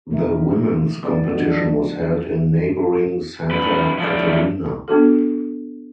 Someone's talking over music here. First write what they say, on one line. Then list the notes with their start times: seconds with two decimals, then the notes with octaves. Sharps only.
The women's competition was held in neighboring Santa Caterina.
0.10 B2 D3 F3 D#4 A#4 E5
1.02 F#3 B3 D5
1.33 F3 G3 D4 F#4 A4 D#5
3.51 F#2 B4
3.98 F3 A3 C#4 E4 D5
4.88 B3 D4 F#4 A4